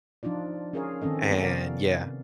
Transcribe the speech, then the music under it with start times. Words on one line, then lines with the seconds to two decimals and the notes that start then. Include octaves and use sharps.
and yeah,
0.23 F3 D4 D#4 F4 D5
0.73 C#4 F4 G#4 A#4 C#5 F5
1.02 D#3 C4 C#4 A4 D#5
1.30 B3
1.42 C3 A#4 D5 F5